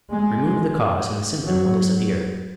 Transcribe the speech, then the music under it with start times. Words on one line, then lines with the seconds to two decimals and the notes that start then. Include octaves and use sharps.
Remove the cause and the symptom will disappear.
0.11 G#3
1.45 F#3